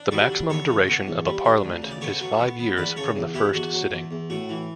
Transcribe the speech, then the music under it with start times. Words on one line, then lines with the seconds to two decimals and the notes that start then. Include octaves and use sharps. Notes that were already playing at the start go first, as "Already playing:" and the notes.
The maximum duration of a Parliament is five years from the first sitting.
Already playing: D4
0.11 G3 F#4 A4
0.30 D4
0.50 E2 A4 C#5
0.69 C#3
0.88 B3
1.07 E2
1.26 G3
1.45 D4
1.64 D2
1.82 C#3
1.91 D5
2.01 B3 A4 C#5
2.21 F#3
2.39 B3
2.59 B3
2.77 E2 B4 D5
2.96 C#3 A4 C#5
3.16 E2
3.34 E2 E4 G4
3.53 E2 F#4
3.73 F#3
3.92 E2
4.11 E2
4.30 A2 F#4
4.49 E3